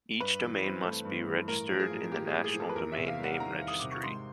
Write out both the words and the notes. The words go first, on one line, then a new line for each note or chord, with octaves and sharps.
Each domain must be registered in the National Domain Name Registry.
G2 B4
E3
C4
A3
G2
E3
A2 A#4
F3
G#4
A2
A#3 G4
G#4
A2
G#4
F3
A4
B4
E2 A#4
E5
C3
F5
G3 F#5
D#3 A#5
E2
D#6
C3 D6
C#6
G#2 C6